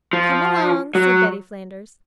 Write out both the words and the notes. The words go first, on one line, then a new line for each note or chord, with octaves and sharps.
"Come along," said Betty Flanders.
F3
F#3